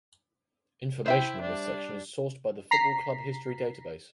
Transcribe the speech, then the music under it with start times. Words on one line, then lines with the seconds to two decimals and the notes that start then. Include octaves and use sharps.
Information in this section is sourced from the Football Club History Database.
1.06 E4 C5 E5 G5
1.42 G3 D4
2.71 A#5 B6 C7